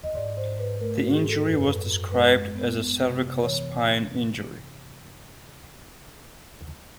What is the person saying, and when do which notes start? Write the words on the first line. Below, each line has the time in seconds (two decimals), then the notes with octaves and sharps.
The injury was described as a cervical spine injury.
0.04 D#5
0.15 G#2 D5
0.37 G#2 C5
0.59 G#2 B4
0.81 A3 A#4
0.97 F#4
1.02 G#2
1.13 G#4
1.24 G#2
1.29 A4
1.46 F#2 B4
1.68 F#2
1.90 F#2
2.12 G#3 B4
2.34 G#3
2.55 B3
2.77 B3
2.99 C3
3.20 C3
3.42 E3 C#5